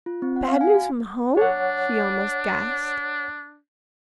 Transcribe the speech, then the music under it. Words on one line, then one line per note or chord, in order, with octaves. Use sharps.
"Bad news from home?" she almost gasped.
F4
C4
F#5
F5
G#5
F#4
D4 C#5 F#5